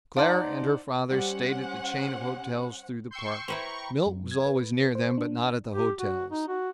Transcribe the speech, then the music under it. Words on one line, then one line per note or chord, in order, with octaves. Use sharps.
Claire and her father stayed at the chain of hotels through the Park. Milt was always near them, but not at the hotels.
D#4 C5 D5 F5 F#5 A5 C6
G3 C#4 C5 F#5
G5 C6 C#6 E6 G6
E4 B4 C5 G5 A#5 B5 C#6
F#2
G#6
B4
C5
D4
G4
F#4
D#4
F#4